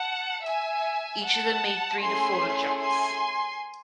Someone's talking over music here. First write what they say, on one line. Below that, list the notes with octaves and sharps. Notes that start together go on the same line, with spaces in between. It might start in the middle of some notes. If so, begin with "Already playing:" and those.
Each of them made three to four jumps.
Already playing: F#5 A5
E5 G#5
F#5 A5
A3 C#4 E4 G#4 G#5 C6
G#5 C6